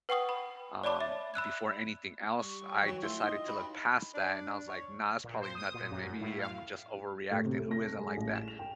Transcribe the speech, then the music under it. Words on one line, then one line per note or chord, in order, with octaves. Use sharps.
um, before anything else, I decided to look past that, and I was like, "Nah, it's probably nothing, maybe I'm just overreacting, who isn't like that?"
B4 F#5 G5 C#6 D#6 F#7
B5
C#5 D5 A5 B5 D6
E5
B5 E6 F#6 G#6
G3 C#6
A2
D#3 E3 F#3
A3 E4 F4 C6
D#4 D#5
G2 F#3 B5
D4
C#5
A#2
C5
D#6
A#2
F#2
A2
F5
A2
C3
A3
A#6
A4
G#3
A1
E7
F7
G5